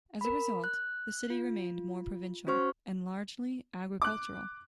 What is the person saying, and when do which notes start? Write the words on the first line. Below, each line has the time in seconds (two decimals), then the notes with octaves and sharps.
As a result, the city remained more provincial, and largely agricultural.
0.21 A#4 B5
0.64 F#6
1.30 F4
2.47 C#4 F#4 C5 C#6 F6
4.02 D6 F#6